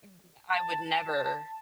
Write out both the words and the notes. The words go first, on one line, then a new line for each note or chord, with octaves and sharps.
Mm, yeah, I would never
A5